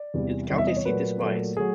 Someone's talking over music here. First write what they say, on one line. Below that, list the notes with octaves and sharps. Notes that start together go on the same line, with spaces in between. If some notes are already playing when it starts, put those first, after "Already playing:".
Its county seat is Wise.
Already playing: D5
E2 C3 E3 G3
E2 C3 E3 G3 D#5
E5
D#5
C#5
A#2 F#3 A3 B4
A#2 F#3 A3
F#3 A3 G#4